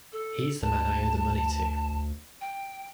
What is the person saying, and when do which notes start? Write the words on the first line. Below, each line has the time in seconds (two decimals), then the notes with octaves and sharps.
He's the man I owe the money to.
0.13 A4
0.62 D2 A5
2.41 G5